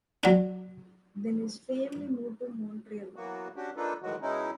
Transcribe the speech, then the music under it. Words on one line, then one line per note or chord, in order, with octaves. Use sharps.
Then his family moved to Montreal.
F#3 D4
E3 F#3 A#3 B3 F#4
C#4 D4 F#4 G4
A#3 D4 D#4 F4 A4 B4
A2 D#3 E3 F#3 G#3 F#4
B2 G#3 C#4 D#4 E4